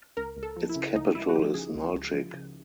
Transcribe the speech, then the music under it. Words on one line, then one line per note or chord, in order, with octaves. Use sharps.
Its capital is Nalchik.
C#2 A#4
C#2
A4
F3
E4
C#3
C#2 D#4
C#2 E4
F#4
F3 G4
C#3 G#4
C#2
C#2
F3
C#3